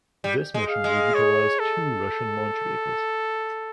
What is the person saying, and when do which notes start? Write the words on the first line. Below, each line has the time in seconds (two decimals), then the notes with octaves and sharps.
This mission will utilize two Russian launch vehicles.
0.24 G3
0.54 G#3
0.70 F5
0.84 G#3
1.14 C#5
1.60 A4